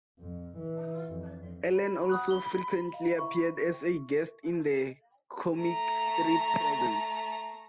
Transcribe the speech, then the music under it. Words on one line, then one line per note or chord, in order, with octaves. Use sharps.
Allen also frequently appeared as a guest in "The Comic Strip Presents".
F2
E3
F2
C#5 B5
F#5 D#6 F#6
G7
D#5 F5
E4 E5 C#6
A3 A#5